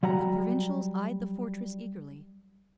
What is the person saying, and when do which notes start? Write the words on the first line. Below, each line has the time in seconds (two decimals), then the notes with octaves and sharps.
The Provincials eyed the fortress eagerly.
0.03 F#3 G3 F#5 A#5